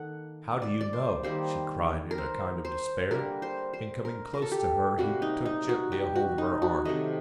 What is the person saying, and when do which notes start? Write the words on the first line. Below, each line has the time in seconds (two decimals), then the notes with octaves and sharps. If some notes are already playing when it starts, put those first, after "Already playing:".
"How do you know?" she cried in a kind of despair, and coming close to her he took gently hold of her arm.
Already playing: D#3 A#3 A4 F#5
0.62 D5
0.81 D5
0.93 C5
1.23 D#3 G3 A#3 C5
2.11 A#4
2.18 C5
2.65 C5
3.11 D3 G3 A#3 A#4
3.42 C5
3.74 C5
4.05 A#4
4.34 A#4
4.42 A4
4.52 G4
4.98 C3 G3 A#3 F#4
5.22 D#4
5.46 D#4
5.69 F#4
5.92 G4
6.16 F#4
6.38 D#4
6.62 F#4
6.85 C3 D#3 F#3 A3 D#5